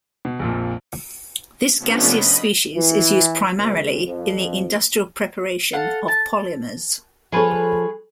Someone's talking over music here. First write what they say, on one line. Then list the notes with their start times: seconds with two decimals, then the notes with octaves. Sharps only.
This gaseous species is used primarily in the industrial preparation of polymers.
0.25 B2
0.39 A#1 F2 A#2
1.78 C3 F3 A3 B3 C#4 D4
2.09 D#5 B5
2.75 E3
3.56 C#2
4.06 F2
5.73 A4 F5 F#5
6.08 A5
7.32 F3 G#4 A4 B4 C#5